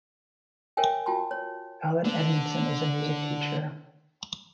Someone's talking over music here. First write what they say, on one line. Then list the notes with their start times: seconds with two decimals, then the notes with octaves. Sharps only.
Alan Edmondson is a music teacher.
0.77 A#4 C#5 E5 G5 G#5
1.06 F4 F#4 G5 A5 C6
1.31 C#5
2.05 D3 D4